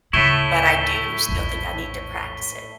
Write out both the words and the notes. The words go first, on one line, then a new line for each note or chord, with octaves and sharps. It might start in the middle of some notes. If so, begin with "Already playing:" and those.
but I do still think I need to practice it.
D2 A2 C#3 A3 E4 C#6 B6 G7
A#1 E2